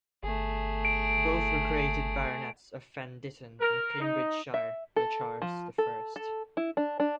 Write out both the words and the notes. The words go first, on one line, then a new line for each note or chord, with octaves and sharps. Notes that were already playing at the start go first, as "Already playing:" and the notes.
Both were created baronets of Fen Ditton in Cambridgeshire by Charles the First.
G1 A3 G#4
D7
A#4
D#4
E5
A4
F3
A4
A4
E4
D4
D4